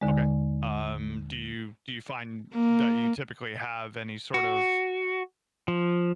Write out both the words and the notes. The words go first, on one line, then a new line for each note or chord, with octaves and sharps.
Okay, um, do you do you find that you typically have any sort of
D#2 D3 G#3
A#3
F#4
F3